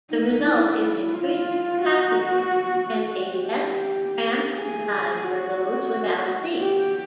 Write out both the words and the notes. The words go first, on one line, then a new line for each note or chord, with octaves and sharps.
The result is increased capacity and a less cramped ride for those without seats.
D#4
E4
F4
F#4
G4
G#4
F#4
G4